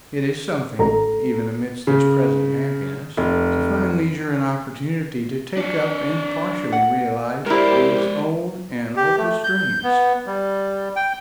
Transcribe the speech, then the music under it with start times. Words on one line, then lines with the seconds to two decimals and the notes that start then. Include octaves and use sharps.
It is something, even amidst this present happiness, to find leisure and opportunity to take up and partially realize these old and hopeless dreams.
0.79 A1 G#2 A4 A#5
1.87 C#3
3.17 F1
5.57 D4 C#5
6.72 F#5
7.46 G#3 E4 G4 A#4 C5 D5
8.97 G4
9.18 A3
9.44 G6
9.84 B3
10.26 G3
10.96 G5